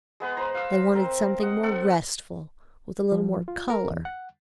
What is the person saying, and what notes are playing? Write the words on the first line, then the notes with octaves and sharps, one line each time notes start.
They wanted something more restful, with a little more colour.
G#3 B3 B4
B4 C5 A#5
F5 E6
C4 A#4
D#5 F#5
C4 A4 F#5
F3
F4
A#4
E2
F#5